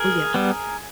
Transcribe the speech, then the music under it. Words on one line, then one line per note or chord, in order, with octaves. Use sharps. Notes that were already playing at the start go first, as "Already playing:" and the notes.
Ooh, yeah.
Already playing: G#4 A#4
G3 B3